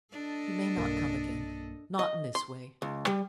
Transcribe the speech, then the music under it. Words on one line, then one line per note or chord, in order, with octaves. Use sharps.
You may not come again,--not in this way.
D4 A4 D#5
B1 G2 A#3
D#5
C6
C#2
G3